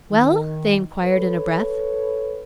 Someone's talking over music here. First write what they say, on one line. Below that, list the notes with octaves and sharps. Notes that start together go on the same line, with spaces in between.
"Well?" they inquired in a breath.
D#3
A4 B4 C#5